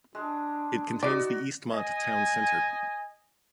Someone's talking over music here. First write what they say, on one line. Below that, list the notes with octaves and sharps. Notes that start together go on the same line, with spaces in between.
It contains the Eastmont Town Center.
G#3 D4
D#4 F#4 D5
D#5 G#5